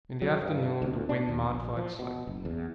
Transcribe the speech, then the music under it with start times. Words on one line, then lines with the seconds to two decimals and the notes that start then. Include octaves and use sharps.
In the afternoon the wind modified slightly.
0.22 F#3
0.42 G2
0.82 D2
1.09 D4
1.29 D#2
1.50 A#1
1.77 F3
1.99 B2
2.27 F#1
2.45 E2